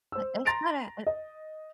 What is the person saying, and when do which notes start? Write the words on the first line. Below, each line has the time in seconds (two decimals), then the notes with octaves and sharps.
I it's gotta
0.12 C5 E6
0.45 A#5 C6 A6 A#6 D7 F7
1.07 D#5